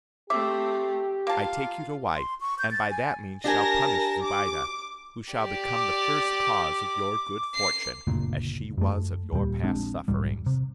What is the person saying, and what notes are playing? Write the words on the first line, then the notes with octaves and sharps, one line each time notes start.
I take you to wife; and by that means shall punish Zobeide, who shall become the first cause of your good fortune, as she was of your past sufferings.
A3 C4 G4 E5 D6
A#3 F4 F5 A5
C6
C#6
G6
A6
G#5
D4 G4 A#4 G#5 A5 A#6
D6
G4 D5
D6
C7
F#1 D2 A#2
F#2 A3
D#2 A#2 G3
A#1 G#3 C4 D4
E1 B1 G#2 G3
C3